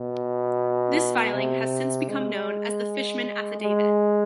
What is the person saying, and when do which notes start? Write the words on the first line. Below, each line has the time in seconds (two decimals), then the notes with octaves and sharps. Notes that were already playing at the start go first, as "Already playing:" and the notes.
This filing has since become known as the Fishman Affidavit.
Already playing: B2
1.33 C3
2.09 G#3
3.61 G#3